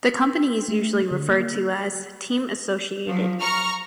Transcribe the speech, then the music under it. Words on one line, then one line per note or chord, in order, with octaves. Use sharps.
The company is usually referred to as Team Associated.
A3
D3
A#3
F3 F#3
A#5 C#6 F6